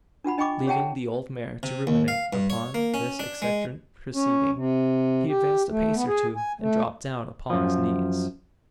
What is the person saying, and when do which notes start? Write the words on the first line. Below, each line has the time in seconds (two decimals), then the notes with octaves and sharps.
Leaving the old mare to ruminate upon this eccentric proceeding, he advanced a pace or two, and dropped down upon his knees.
0.24 D4 F4 F#5 B5
0.38 D4 D#5 G5 B5 C#6 D6
0.66 G4 C#5 E5 F#5 G5 A5
1.63 C3
1.87 D#2
2.08 F5
2.33 G2
2.50 C#5
2.74 A#3
2.94 C#4
3.19 D4
3.42 G#3
4.14 C#4
4.55 C3
5.29 G4
5.69 A3
5.95 B3
6.08 G#4
6.36 G#5
6.61 A3
7.50 F#2 F3